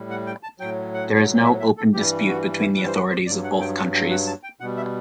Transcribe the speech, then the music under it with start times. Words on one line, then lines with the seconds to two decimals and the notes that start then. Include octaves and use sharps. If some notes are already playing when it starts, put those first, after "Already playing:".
There is no open dispute between the authorities of both countries.
Already playing: A2 G3
0.10 F#5
0.27 G5
0.43 A5
0.59 A2 F#3 G5
0.94 F#5
1.44 E5
1.60 E5
1.77 A4
1.93 G2 E3 G3 G4
2.28 F#4
2.60 E4
2.77 B4
2.87 C5
2.94 B4
3.10 C5
3.27 G2 F#3 D5
3.44 F#5
3.60 G5
3.77 F#5
3.94 G5
4.11 F#5
4.27 A5
4.43 G5
4.60 B2 G3 F#5
4.77 E5